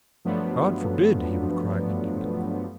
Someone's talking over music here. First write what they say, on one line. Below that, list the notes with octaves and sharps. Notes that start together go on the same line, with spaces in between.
"God forbid!" he would cry indignantly.
G2 F3 F#3 A3 B3 D4